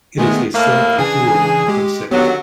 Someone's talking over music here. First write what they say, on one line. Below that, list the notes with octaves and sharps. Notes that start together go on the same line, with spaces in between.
It is a self-dual concept.
D#3 G#3 A3 B3
A2 A3 A#3 A5
C#3 E3 D4 G#4
G#3 G4
D3 D#3 F#3 B3 G4